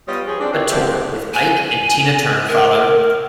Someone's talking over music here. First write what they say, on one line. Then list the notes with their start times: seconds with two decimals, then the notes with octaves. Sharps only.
A tour with Ike and Tina Turner followed.
0.07 G3 B3 F4 C#5 D#5
0.26 F3 C#4 G#4
0.40 C4 D4
0.53 F4 G4 G#4 C#5 D5 E5
0.71 F3 G#3 A#3 D4 G4 E5
1.34 G#5
2.48 A#4